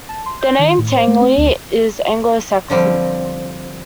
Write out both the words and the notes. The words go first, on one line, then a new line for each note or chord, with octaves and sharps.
The name Tangley is Anglo-Saxon.
A5
C6
G6
D#3
A2
C5
A3
C4
D2
D3 F3 G3 C4